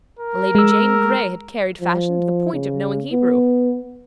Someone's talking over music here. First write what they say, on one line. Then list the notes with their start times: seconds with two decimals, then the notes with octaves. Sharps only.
Lady Jane Grey had carried fashion to the point of knowing Hebrew.
0.19 A#4
0.55 G#3 E6
1.81 F3
2.53 C#3
3.12 B3